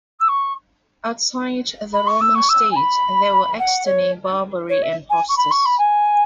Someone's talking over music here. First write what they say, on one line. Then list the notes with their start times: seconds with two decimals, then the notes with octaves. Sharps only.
Outside the Roman state, there were "externi", "barbari" and "hostes".
0.19 E6
0.28 C#6
1.93 B5
2.07 C#6
2.20 E6
2.34 C#6
2.49 E6
2.71 G#5
2.75 B5
3.58 F#5
3.85 C#5
4.69 C#5
4.82 E5
5.10 G#5
5.28 C#6
5.37 B5
5.50 C#6
5.65 B5
5.78 G#5